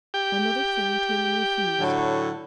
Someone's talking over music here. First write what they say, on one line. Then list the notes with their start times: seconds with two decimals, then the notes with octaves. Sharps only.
My mother thanked him and refused.
0.14 G4 G5
1.79 A2 D3 F#3